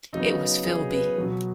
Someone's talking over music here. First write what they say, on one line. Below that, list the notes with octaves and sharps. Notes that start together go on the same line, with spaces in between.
It was Philby.
C#3 F#3 B3 D#4
G#4
B4
B2 F#3 B3